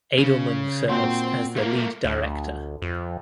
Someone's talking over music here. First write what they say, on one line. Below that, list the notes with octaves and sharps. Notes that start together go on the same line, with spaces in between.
Adelman serves as the Lead Director.
C#3 C#4
A#2 C4 F#4 G5
A3 A#3 A#4
D2
F2